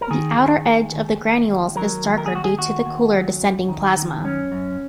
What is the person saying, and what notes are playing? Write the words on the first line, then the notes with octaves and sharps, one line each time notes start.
The outer edge of the granules is darker due to the cooler descending plasma.
A#4
D#3 G#4
D#3
D#2
D#2
D#2
D#2
F#3 A#4
D#2
A#4
G#4
D#2 F#4
G#4
D#2 F#4
D#2
F#3
F#2
D#3
D#3
F#2 C#4
F#2